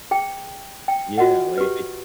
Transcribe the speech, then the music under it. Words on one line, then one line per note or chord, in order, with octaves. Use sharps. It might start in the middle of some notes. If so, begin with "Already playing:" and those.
Yeah, like, if they
G#4 G5
G5
F4 F#4 D#5 F#5
G4 B4